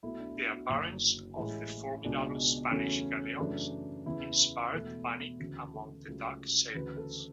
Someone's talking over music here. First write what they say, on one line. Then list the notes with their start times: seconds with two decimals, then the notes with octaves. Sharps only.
The appearance of the formidable Spanish galleons inspired panic among the Dutch sailors.
0.03 B1 B2 A3 E4
0.19 D4
0.36 D4
0.53 F#4
0.70 F#1 F#2 D3 F#3
1.37 A1 A2 G#3 E4
2.04 C#2 B2 G#3 D4
2.71 E2 C#3 F#3 A3 C#4
3.39 F#2 C#3 E3 A3 D4
4.06 E2 C#3 E3 E4
4.72 E1 E2 B2 A3
5.40 D2 C#3 E3
5.73 A4
6.07 C#2 C#3 F#3 A3
6.74 D2 C#3 E3 B4
6.97 A4